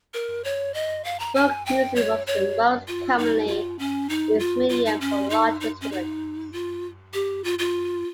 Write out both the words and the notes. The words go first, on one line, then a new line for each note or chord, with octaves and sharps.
Book Music was the most commonly used medium for large instruments.
A#4
C#5
D#5
F5
A#5
G#5
G5
C#5
C#5
F4
D#4
F4
C#4
D#4
F4
F4
D#4
C#4
D#4
D#4
C#4
D#4
F4
G4
F4
F4